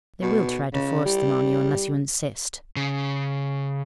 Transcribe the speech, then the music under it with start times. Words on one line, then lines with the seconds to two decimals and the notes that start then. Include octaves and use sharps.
They will try to force them on you unless you insist.
0.22 B2
0.73 C#3
1.05 G3
2.76 C#3